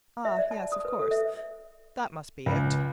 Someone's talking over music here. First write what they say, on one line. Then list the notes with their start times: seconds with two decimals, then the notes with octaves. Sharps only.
Ah yes, of course, that must be it.
0.25 E5
0.39 D5
0.51 A5
0.72 D#6
0.85 B4
0.99 A4
1.11 E5
2.46 C#2